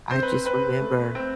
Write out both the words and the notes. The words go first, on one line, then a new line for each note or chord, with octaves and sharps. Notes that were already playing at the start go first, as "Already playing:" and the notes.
I just remember
C4 C5
B4
C4 B4
A3
C4